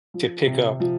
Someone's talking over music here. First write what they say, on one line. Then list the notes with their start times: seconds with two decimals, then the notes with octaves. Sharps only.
to pick up
0.14 F3
0.47 C3
0.80 F3